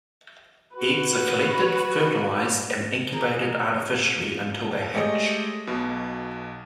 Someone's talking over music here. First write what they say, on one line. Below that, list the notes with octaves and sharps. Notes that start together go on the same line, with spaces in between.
Eggs are collected, fertilized and incubated artificially until they hatch.
F#4 B4
A#3 C4 G#4 A#4
G#3 A3 G4 G#4 C#5 D#5
B1 B2